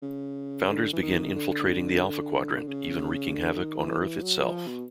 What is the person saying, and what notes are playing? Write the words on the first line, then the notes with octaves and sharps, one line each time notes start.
Founders began infiltrating the Alpha Quadrant, even wreaking havoc on Earth itself.
C#3
D3
E3
D#3
D3
C#3
D3
D#3
E3
E3
F#3
F3
B2